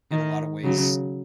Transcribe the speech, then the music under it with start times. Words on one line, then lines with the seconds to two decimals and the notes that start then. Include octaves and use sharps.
In a lotta ways,
0.11 D#3
0.64 C#3 F#3